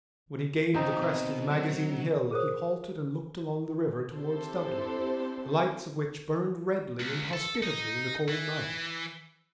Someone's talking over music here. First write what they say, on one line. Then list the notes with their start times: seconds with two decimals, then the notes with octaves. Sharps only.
When he gained the crest of the Magazine Hill he halted and looked along the river towards Dublin, the lights of which burned redly and hospitably in the cold night.
0.74 F3 F#3 C4 D#4
1.01 B2
1.51 F#3
2.31 G#4 A#4 C5 C#5 D#6
4.13 C4 D4 E4 G4 A4 C5
7.00 C#2
7.33 A4
7.63 D#4
8.29 E3